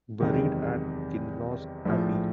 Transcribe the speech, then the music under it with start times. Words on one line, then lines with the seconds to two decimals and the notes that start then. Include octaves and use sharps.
Buried at Kinloss Abbey.
0.20 F#1 E2 C3 D#3 G#3
1.85 A#1 A2 F3